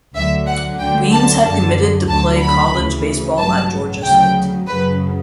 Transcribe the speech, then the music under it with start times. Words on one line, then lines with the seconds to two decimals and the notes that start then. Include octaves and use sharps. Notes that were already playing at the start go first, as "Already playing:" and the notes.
Weems had committed to play college baseball at Georgia State.
0.15 D2 D3 F#3 E5
0.47 F#5
0.79 D2 D3 F#3 G5
1.12 A5
1.44 F#2 D3 F#3 A5
2.08 D2 D3 F#3 A5
2.41 B5
2.73 D2 C#3 E3
3.38 A1 G2 F#3 A5
4.03 D2 C#3 F#3 G5
4.67 F#2 C#3 F#3 B4